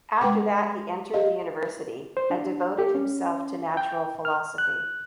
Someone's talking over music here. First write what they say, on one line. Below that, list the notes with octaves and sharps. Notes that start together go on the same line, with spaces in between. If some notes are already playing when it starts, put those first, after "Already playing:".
After that he entered the University, and devoted himself to natural philosophy.
G#3 B4 F#5 G5 D6
G4 C5 D#5 F5
C5
D4
G4
C#4
G5
F6
F#6